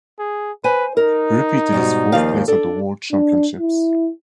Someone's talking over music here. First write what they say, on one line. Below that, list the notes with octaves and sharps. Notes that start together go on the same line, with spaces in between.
He repeated his fourth place at the World championships.
G#4
B4 C5 G#5
D#4 A#4
G#2 B2 G3
D#2 F3 F5
D4 A4
D4
E4